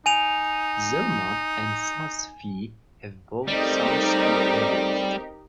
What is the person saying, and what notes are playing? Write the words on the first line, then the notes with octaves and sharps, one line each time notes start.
Zermatt and Saas-Fee have both summer ski areas.
D#4 G#5 D#7 F7
C#3 G3 A3 C4 D#4 G4 A#4